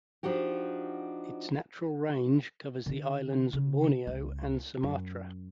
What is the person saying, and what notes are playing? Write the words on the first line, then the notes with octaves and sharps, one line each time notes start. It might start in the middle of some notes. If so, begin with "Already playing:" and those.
Its natural range covers the islands Borneo and Sumatra.
F3 D4 D#4 F#4 G4
D3 D#3
C#3
C#2
F#2